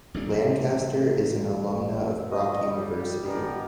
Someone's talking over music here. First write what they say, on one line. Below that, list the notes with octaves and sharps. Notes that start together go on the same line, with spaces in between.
Lancaster is an alumna of Brock University.
A1 G3 D4
D#5
G3
D3 G#3 B3 G4 A#4 D5